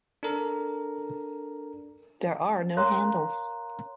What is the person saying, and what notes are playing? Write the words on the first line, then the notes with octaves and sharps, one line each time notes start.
There are no handles.
D4 A4 A#4 A#5
A#4 C#5 F5 A#5 C6 F#6